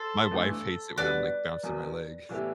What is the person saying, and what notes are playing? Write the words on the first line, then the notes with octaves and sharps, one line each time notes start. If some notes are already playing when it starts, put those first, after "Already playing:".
my wife hates it when I'm, like, bouncing my leg.
Already playing: A4 C5
G1 G2 E3 A3
D2 D3 G3 B3 F#4 B4 D5
E1 E2 B2
A2 E3 B3 E4 G4